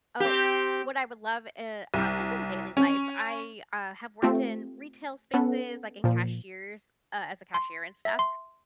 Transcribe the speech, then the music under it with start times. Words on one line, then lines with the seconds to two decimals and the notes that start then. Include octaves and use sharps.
Oh, what I would love in um, just in daily life, I, uh, have worked in retail spaces, like in cashiers uh, as a cashier and stuff,
0.20 C4 G4
1.94 C2
2.77 C#4
4.22 A3 C4 F4 G4
5.34 B3 C#4 A4 B4 F#5
6.04 A#2 F3
7.54 C6
8.05 E5
8.19 C6